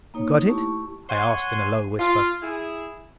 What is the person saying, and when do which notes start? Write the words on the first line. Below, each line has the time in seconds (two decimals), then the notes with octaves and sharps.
"You got it?" I asked in a low whisper.
0.14 A#3 D#4 C#5
0.47 A3 E4 G4 A5 C#6
1.09 C#5 F#5 G#5 C6
1.99 F4
2.42 E4 G#4